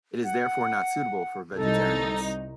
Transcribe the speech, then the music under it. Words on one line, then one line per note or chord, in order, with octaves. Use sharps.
It is therefore not suitable for vegetarians.
F#5
C2 D#4 A4